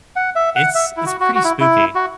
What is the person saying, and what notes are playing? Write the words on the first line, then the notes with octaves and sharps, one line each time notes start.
It's it's pretty spooky.
F#5
E5
F#5
E5
E4
F#4
F#4
F#4
E4
E4
F#4